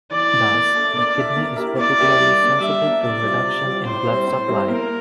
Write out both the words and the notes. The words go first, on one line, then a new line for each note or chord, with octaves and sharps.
Thus, the kidney is particularly sensitive to reduction in blood supply.
E3 D5
A3 E4
A#3
D4 A4 E5
A#3 D5
D4 A4 E5
A#3
E4 G4 A#4 E5
A#3 D5
E4 G4 A#4 E5
G3
A#3 D4
G3 E5
A#3 D4
C3 D5
G3 C4 F4
C3
G3 C4 F4
A2 C5
G3 C4 E4
A2
G3 C4 E4
A#3 A#4